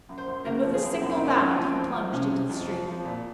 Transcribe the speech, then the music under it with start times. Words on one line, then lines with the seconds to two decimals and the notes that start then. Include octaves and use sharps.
And with a single bound he plunged into the street.
0.09 F#2
0.18 C5
0.28 F#2
0.45 C#3 A#4
0.64 F3
0.74 G#4
0.83 F#2
1.01 F#2 C4
1.09 C#4
1.17 C4
1.20 D#3
1.25 C#4
1.33 C4
1.39 F#2 C#4
1.49 C4
1.56 F3 C#4
1.64 C4
1.76 F3
1.94 F3
2.12 C3 C#4
2.31 C3
2.49 F2
2.68 F3
2.87 F3
3.05 A#2